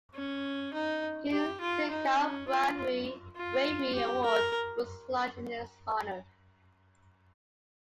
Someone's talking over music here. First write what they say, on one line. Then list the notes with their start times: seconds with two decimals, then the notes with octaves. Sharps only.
King Sigcau Bravery Award was launched in his honour.
0.14 C#4
0.73 D#4
1.32 G4
1.61 F4
1.91 D#4
2.19 C#4
2.49 F4
3.36 F4
3.95 G4
4.24 A#4